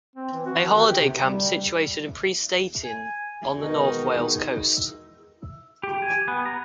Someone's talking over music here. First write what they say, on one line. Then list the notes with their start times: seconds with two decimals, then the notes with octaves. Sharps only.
A holiday camp situated in Prestatyn on the North Wales coast.
0.16 C4
0.33 E3
0.46 F#4
0.65 D#3
0.84 G4
0.99 C3
1.18 G3
2.84 G#5
3.57 B2 D#3 G#3 D#4 F#4
5.83 G4
6.02 G#5
6.28 B3
6.46 A#5